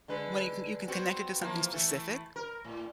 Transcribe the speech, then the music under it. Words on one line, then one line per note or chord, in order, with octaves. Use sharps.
when you can you can connect it to something specific,
D3 G#3 B4
B3 C4 F#4
E3 F3 A#3
E3 A3
A#4
A2